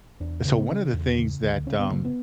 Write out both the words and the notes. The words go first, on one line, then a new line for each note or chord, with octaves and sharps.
So, one of the things that, um,
E2 D4
C#3 C#4
B3
C#3 C#4
E2
C#3
D2
C#3 C#4
B3
C#3 A#3
B3